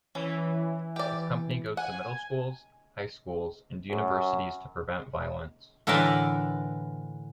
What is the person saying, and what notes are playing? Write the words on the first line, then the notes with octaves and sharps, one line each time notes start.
This company goes to middle schools, high schools, and universities to prevent violence.
E3 C#4
G4 D5
F#5 G#5
F#2
A2 D3 E3 A#4 B4 A5